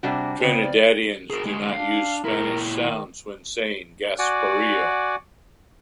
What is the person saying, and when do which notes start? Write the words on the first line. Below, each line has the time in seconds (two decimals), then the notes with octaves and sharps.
Trinidadians do not use Spanish sounds when saying Gasparillo.
0.03 C3 G3 D4 F#4
0.40 C#3 B3 C4
0.63 D5
1.30 G#4 A#4
1.46 D2 G#3
1.73 D4 F5
2.25 A#2 E4 A#4
2.76 D#3
4.19 F#4 D5 F#5 G#5 D6